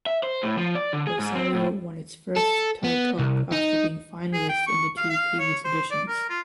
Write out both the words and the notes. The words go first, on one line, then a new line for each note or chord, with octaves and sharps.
Rosario won its first Tie Cup after being finalist in the two previous editions.
E5
C5
A2
F3
D5
D3
G#4
G#2
C4
A2
A4
B3
C2
D#4
G#4
G5
C#6
F5
F5
C#5
C5
D5
A#4
F4